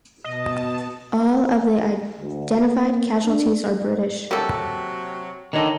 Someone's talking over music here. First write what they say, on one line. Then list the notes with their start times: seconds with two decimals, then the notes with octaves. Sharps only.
All of the identified casualties are British.
0.24 B2 D#5 A5
2.19 D2
2.58 A#3
3.25 D4
4.31 C3 F#3 A#3 G4 A4
5.53 D3 D#3 D4 C#5 D#5